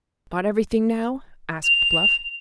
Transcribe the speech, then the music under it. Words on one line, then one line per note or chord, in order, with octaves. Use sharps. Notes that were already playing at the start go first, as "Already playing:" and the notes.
"Got everything now?" asked Bluff.
F7